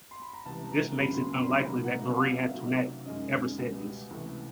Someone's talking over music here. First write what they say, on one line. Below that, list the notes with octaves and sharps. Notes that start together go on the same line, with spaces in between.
This makes it unlikely that Marie-Antoinette ever said this.
C6
B5
A#5
C#2 C3 E3 G3 A5
A#5
F#2 D3 F#3 A#3 C#4 B5
C6
B5
C6
C#2 C3 D#3 F#3 A#3 B5
A#5
F#5
C#3 F#3 B3 F5
F5
F5
E5
C3 D#3 F#3 A3
F#2 D#3 G#3 C#4 D#5
C#2 B2 G3
C#2 C3 E3 A3